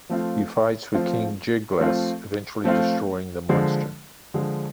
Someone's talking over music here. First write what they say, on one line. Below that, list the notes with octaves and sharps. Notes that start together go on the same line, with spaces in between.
He fights with King Jyglas, eventually destroying the monster.
F3 A3 C4 F4
F3 A3 C4 F4
F3 A3 C4 F4
F3 A3 C4 F4
D3 F3 G#3
D3 F3 G#3